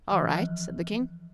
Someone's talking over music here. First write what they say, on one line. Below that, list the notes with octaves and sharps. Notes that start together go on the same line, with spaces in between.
"All right," said the King.
E3
F3